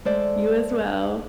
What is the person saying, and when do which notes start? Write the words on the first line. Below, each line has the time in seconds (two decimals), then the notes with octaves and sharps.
You as well.
0.05 G#3 A3 C5 D5